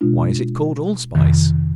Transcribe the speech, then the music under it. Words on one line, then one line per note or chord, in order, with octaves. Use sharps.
Why is it called Allspice?
B2 G#3 D4 F4
F2 C3 D#3